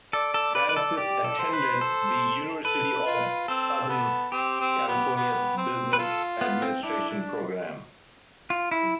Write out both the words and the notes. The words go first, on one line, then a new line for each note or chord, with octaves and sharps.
Francis attended the University of Southern California's Business Administration program.
A4 D5
A4
B4 D5
B4
A4
G4 D5
A4
C5
B4
A4
A4 B4
F4
C4 A4
B3
C4 G4
C4
B3
B3
C4
B4
F4 A4
B3
C4
D4 E4
D4
F4
E4